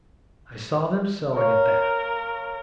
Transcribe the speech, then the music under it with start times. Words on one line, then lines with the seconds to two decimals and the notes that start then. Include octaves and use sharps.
I saw them selling at that.
1.36 A#4 C#5 F5